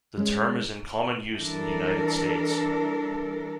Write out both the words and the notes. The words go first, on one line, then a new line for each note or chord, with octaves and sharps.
The term is in common use in the United States.
G#3 C#4
E3 G3 D4 A4 A#4